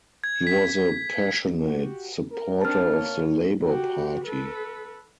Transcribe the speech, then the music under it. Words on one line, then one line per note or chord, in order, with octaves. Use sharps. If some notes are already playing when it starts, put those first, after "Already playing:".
He was a passionate supporter of the Labour Party.
G#6
B6
F#4 G4
A#4
C4 D4 A5 F6
B2 A#3 C#5
F#4 G4
A4 B4